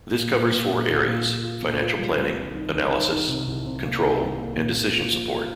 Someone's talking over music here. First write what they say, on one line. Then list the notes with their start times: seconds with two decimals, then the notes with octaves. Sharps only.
This covers four areas: financial planning, analysis, control, and decision support.
0.15 A#2
0.33 A#2
0.52 A#2
0.71 A#2
0.89 F4
1.08 A#2
1.26 A#2
1.43 F4
1.63 A#2
1.81 F4
1.99 G3
2.18 G3
2.36 C2
2.54 D#3
2.72 D#3
2.91 D#3
3.10 D#3
3.28 C3
3.47 C2
3.65 C3
3.83 A#3
4.01 D#3
4.20 C2
4.39 A#3
4.57 A#2
4.76 A#3
4.94 F4
5.12 F3
5.30 F4